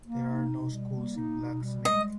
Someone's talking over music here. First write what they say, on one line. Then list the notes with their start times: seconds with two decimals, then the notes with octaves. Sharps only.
There are no schools in Black Snake.
0.02 A#3
0.25 D#4
0.48 B2
0.70 G3
0.93 A#3
1.16 D#4
1.39 B2
1.62 G3
1.85 G#3 D#5